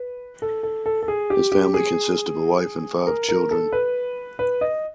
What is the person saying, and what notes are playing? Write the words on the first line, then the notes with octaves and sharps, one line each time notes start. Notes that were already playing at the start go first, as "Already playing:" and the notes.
His family consisted of a wife and five children.
Already playing: B4
A4
A4
A4
A4
G#4
G4
G4
G#4
A#4
A#4
A4
B4
B4
D#5